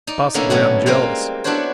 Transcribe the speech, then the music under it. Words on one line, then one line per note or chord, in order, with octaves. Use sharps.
Possibly I am jealous.
D#4 D5
D3 A#3 B3 C#4 D#4 E4
A2 F#3 B3
G3 G#3 A#3 C4 F4
B3 D4 E4 F#4 C5 C#5